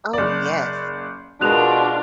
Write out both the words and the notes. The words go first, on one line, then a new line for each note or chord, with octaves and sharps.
Oh, yes.
F#1 D5
B2 G#3 D4 F4 A#4 F#6 F7